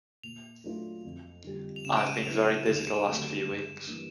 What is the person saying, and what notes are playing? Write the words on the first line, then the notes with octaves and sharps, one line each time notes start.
I've been very busy the last few weeks.
A#2 F7
F#3 A3 D4 F4
F2
D3 G3
F7
C#3 E7
D7
D#7
E7
F#3 B3 E4 F7
D#2 E7
F7
E7
D3 F#3 A3 C4
G2
E3 G3 A#3 D4